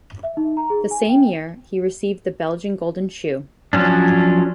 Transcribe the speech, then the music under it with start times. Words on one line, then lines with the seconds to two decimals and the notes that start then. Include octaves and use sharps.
The same year, he received the Belgian Golden Shoe.
0.23 E5
0.37 D#4
0.57 A#5
0.70 G#4
0.91 G#5
1.09 G5
3.73 F3 F#3 C#4 D4